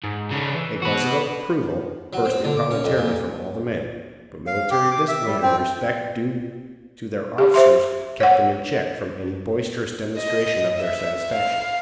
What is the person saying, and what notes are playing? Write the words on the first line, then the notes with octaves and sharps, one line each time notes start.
A buzz of approval burst involuntarily from all the men, but military discipline and the respect due to their officers kept them in check from any boisterous demonstration of their satisfaction.
G#2
C#3 D4
E3
F#4 B4
F#3
C4
D3
D6
C#4
F2
A#2
F5
G4
D6
E5
G3
C4
G4
C5 E5 C6
C#5 F#5
D#5
E5
F5